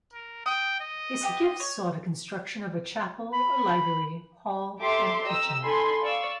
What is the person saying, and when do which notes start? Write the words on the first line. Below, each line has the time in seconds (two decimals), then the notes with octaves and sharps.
His gifts saw the construction of a chapel, a library, hall and kitchen.
0.13 A#4
0.46 G5 D#6
0.81 D#5
1.21 B3 F#4 G4
1.60 C#5
3.32 B5
4.79 G4 A4 E5 A#5 C6 D6
5.23 G4 D#5 A#5 E6
5.62 D#4 A4 G#5 B5 C6
6.03 D5 F5 C#6 E6